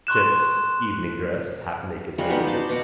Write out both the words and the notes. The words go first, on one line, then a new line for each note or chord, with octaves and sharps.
Tips, evening dress, halfnaked ladies.
C6 C#6 F#6 E7
G3 G#3 F4 F#4
B3 D#4 F#4 G4
D5 A5 C6
B2 F#4 D6